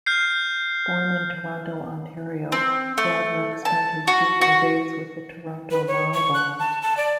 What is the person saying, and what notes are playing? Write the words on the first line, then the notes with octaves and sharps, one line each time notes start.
Born in Toronto, Ontario, Broderick spent his junior days with the Toronto Marlboros.
F6 G6 C7
C4
A3
A5
F#4
F#4
B4
C#5
C#6
F#6
A5
A5
D5